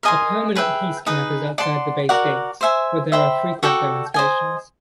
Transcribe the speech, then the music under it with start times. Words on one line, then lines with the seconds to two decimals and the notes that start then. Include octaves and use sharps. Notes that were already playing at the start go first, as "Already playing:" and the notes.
A permanent peace camp is outside the base gates, where there are frequent demonstrations.
0.03 A#4 D#5 G#5 C6
0.55 G#4 B4 E5 G5
1.06 D#4 G#4 B4
1.58 D5 F#5 A5 C6
2.09 F#4 A#4 D5 F#5
2.61 C5 E5 G#5
3.12 C5 E5 G5 B5
3.63 F#4 A4 D5 G5
4.14 C5 D#5 G#5